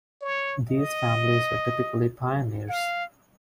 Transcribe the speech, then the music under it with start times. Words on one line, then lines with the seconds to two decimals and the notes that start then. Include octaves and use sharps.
These families were typically pioneers.
0.21 C#5
0.70 D#5
2.69 F5